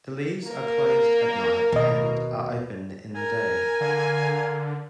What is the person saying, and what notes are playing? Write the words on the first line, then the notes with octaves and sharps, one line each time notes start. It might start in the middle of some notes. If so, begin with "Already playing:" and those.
The leaves are closed at night and are open in the day.
A#3 A#4
D#2 B2 D#5
A#4 G#5
D3 F5